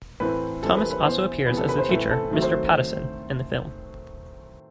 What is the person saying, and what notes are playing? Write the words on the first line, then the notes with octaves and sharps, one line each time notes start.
Thomas also appears as the teacher Mr. Pattison in the film.
A2 E3 A3 C4 B4
E3 G3 C4 A4
B4
B4
E3 B3 C5
C3 E3 B3 B4
A4
B4
C5
A2 E3 A3 C4 B4
A4
D#3 F#3 A3 C4
C5